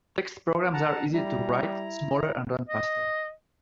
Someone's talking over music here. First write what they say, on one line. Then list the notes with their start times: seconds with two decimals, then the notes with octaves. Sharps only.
Text programs are easier to write, smaller, and run faster.
0.74 F#5 A5 A#5
1.14 G3 E4 A#5
2.69 D#5